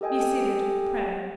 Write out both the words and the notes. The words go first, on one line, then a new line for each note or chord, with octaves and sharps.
Be seated, pray.'
G4 A4 D#5 G5 G#5